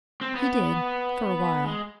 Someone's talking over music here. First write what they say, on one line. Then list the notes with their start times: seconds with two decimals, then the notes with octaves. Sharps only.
He did--for a while.
0.21 C4
0.35 B3
1.65 G#3